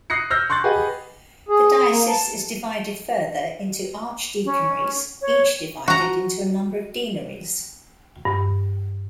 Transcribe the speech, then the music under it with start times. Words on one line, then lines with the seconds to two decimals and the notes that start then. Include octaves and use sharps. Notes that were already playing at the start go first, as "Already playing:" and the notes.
The diocese is divided further into archdeaconries, each divided into a number of deaneries.
0.10 D#6 F#6 A#6 C7 C#7
0.31 E6 F6 G6 A#6
0.50 C6 C#6 F#6 G6 A6
0.64 G4 G#4 B4 D#5 F#5
1.49 G#4
1.90 A#3
2.08 A5
4.45 C#4
5.22 C#5
5.88 F#4 A#5
8.25 G2